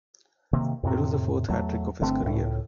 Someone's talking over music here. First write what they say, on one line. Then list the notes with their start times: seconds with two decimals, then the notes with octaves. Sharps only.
It was the fourth hat-trick of his career.
0.53 C3 D#3 A#3
0.83 F2 A2 C3
1.49 E2 F#3 A3
2.01 G1 D3 A3 C4
2.23 C#2 A2